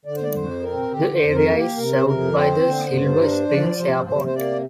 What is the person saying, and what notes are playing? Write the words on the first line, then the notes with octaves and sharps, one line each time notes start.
The area is served by the Silver Springs Airport.
D3 D5
C5
D5
F2 C5
C4 A#4
D3 G4
C5
F2
A#4
A#3
G4
C3 A#4
C5
F2 A#4
C4 C5
D3
G2
D4
F3 D5
C3 C5
C3 C5
C5
A#3 D5